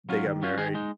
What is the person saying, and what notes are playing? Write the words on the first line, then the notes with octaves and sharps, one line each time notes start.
they got married.
F#3 C#4 F4
D#3
F#3 C#4 F4
D#3 G#4
G#3 D#4